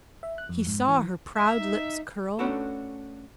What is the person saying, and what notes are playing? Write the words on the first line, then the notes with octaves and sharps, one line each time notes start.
He saw her proud lips curl.
E5
F#6
F2
G#2
E3
E5
D#4
A3 C#4 D4 F#4 A4 B4